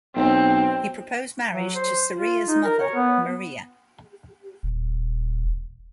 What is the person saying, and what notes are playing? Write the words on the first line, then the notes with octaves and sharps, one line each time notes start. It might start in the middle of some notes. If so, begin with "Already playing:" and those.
He proposed marriage to Sarria's mother Maria.
B1 C4
F#3
C5
F4
D#4
A#4
C#5
B3
D#1